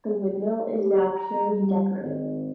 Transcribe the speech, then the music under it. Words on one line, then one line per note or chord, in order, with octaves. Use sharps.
The windmill is now purely decorative.
G4
A#5
G3
G#1